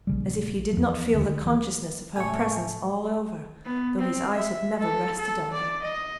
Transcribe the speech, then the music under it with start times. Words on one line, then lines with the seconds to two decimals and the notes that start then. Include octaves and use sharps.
As if he did not feel the consciousness of her presence all over, though his eyes had never rested on her!
0.07 A#1 C#3 G3
0.73 E2 F3
1.14 D2 D#3
1.46 E3
2.16 A2 C#3 A3 G#5 C#6
3.65 B3
3.99 C4
4.36 E5
4.79 A4
5.19 A4
5.52 D5
5.83 D#5